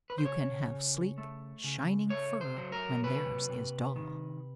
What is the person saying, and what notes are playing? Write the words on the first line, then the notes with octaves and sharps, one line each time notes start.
You can have sleek, shining fur when theirs is dull.
B4
C5
C#3 C#5
C#3
A3
C#3
A3 C#5
C5
F#3
A#4
C3 B4
C3
D#3